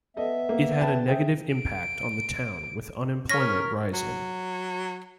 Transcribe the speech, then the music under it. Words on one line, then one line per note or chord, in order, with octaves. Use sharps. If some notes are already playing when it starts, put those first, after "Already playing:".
It had a negative impact on the town with unemployment rising.
B3 A4 D#5 E5
A#3
B4 G5 A5
G#4 E5 G5
D7
C#4 A#4 C#6 F6 A#6 B6
F#3